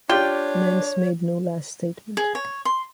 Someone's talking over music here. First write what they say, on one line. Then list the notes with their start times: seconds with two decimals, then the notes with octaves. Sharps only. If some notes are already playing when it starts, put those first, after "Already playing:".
Nance made no last statement.
0.09 D4 F4 G4 C#5 G5
2.17 G#4
2.35 C#5
2.65 C6